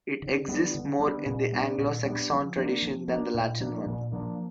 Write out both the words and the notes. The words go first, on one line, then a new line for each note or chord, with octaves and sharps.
It exists more in the Anglo-Saxon tradition than the Latin one.
D3
G3 B3 D4
D3
G3 B3 D4
A#2
G3 B3 D4
A#2
G3 B3 D4
F3
A#3 D4
F3
A#3 D4
A#2
F3 A#3 D4
A#2
F3 A#3 D4